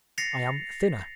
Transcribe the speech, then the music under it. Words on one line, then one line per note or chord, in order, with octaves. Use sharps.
I am thinner.
A6 A#6 C7 C#7 F7